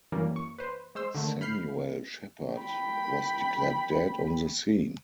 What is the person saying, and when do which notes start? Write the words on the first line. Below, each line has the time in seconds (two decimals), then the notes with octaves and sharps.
Samuel Shepherd was declared dead on the scene.
0.12 F#2 E3 G3 A#3 C#4
0.36 C#6
0.58 B4 C5
0.95 G#3 C5 E6
1.15 D3 D#3 A3
1.41 B5 F6 G6 C7
2.55 G5 B5